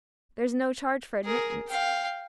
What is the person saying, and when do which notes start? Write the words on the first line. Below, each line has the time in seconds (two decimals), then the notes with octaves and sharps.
There's no charge for admittance.
1.24 G#4 A#4
1.68 F5 G5